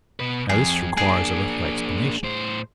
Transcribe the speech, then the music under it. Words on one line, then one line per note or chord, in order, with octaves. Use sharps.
Now this requires a little explanation.
B2 B4
F2 G#4
A#3 D4 G#4
A2 C5